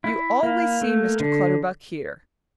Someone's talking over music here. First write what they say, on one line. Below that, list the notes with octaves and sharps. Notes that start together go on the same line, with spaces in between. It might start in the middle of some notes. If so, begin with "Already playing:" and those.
You always see Mr. Clutterbuck here.
E4
A#3
A3
D3